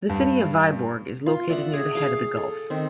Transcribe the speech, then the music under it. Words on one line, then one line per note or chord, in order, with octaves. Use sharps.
The city of Vyborg is located near the head of the gulf.
G2
F4
D5 E5 F#5
G#4
G#4 F5
A4
D#3 C4